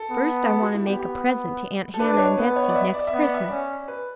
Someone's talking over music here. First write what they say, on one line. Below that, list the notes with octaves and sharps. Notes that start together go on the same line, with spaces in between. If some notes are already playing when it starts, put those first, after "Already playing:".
"First, I want to make a present to Aunt Hannah and Betsey, next Christmas."
Already playing: A4
B3
A4
F#4
E4
B3 G4
G4
A4
D4 B4
B4
C#5
B3 B4
C#5
D5
E5
D5
E5
B3
D5
E5
C#4 D5
B4